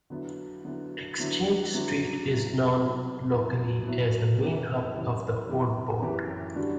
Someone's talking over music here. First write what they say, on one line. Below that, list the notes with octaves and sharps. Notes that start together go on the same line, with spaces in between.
Exchange Street is known locally as the main hub of the Old Port.
D3 F#3 B3 E4
D3 F#3 B3 E4
D3 F#3 B3 E4
D3 F#3 B3 E4
B2 F#3 B3 E4
B2 F#3 B3 E4
B2 F#3 B3 E4
B2 F#3 B3 E4
F#2 E3 B3 E4 G4
F#2 E3 B3 E4 G4
F#2 E3 B3 E4 G4
F#2 E3 B3 E4 G4
D3 G3 D4 F#4